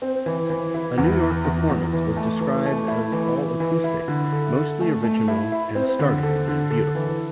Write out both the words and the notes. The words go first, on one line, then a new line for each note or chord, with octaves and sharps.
A New York performance was described as all acoustic, mostly original and startlingly beautiful.
C4
E3
E3
E4
E2
E3
E2
E2
E3
A3
E3
A3
E4
E3
E3
E3
E4
D3
A4
A4
A3
A3
E4
E4
C4
D3
A4
D3
A4
E3